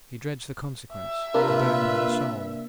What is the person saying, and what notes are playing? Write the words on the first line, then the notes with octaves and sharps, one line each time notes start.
He dreads the consequence--the burden of a soul.
E5
C3 A#3 D4 F4 B4